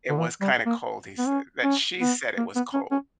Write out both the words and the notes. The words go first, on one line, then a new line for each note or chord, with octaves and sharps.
It was kinda cold, he said that she said it was cold.
D3
E3
G3
A#3
B3
C#4
C#4
B3
A#3
B3
C#4
C#4